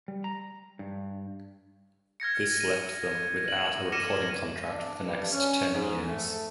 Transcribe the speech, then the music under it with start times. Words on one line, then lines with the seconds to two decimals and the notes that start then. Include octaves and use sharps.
This left them without a recording contract for the next ten years.
0.08 G3
0.24 A#5
0.79 G2
2.20 F6 G#6 A#6 C#7
2.60 D#7
3.48 F#7
3.92 D6 F6 A#6 C#7 D#7 E7
4.69 D4
5.03 G2
5.32 C#4
5.74 G#2
6.08 A3